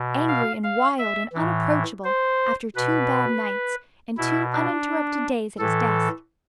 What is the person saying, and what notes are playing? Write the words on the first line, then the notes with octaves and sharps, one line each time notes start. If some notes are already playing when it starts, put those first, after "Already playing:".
Angry and wild and unapproachable, after two bad nights, and two uninterrupted days at his desk.
Already playing: B2
F5
F5
E5
A2 E3
C5
B2 B4
B2 E4
D4
A2 E3 A4